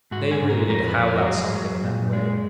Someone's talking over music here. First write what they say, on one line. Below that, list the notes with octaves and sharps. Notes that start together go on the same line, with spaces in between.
They really did howl out something in that way.
G#2 F#4
G#4
G#2
A#4
F2 A#4
B4
F2
A#4
F#4
F#3 G#4
F#3
A#2
G#3